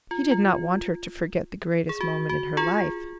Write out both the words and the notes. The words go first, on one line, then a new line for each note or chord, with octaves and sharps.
He did not want her to forget the greatest moment in her life.
F4
F4
G#4
F#4
F#4
F4 G#4